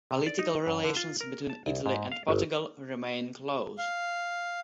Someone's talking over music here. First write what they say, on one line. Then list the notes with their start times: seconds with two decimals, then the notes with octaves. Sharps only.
Political relations between Italy and Portugal remain close.
0.11 C3
0.27 D5
0.39 D#4
0.66 F#2
0.84 D3
0.97 F4
1.21 A#4
1.50 A5
1.66 C2
1.86 G#2
2.12 F5
2.28 G1
3.78 F5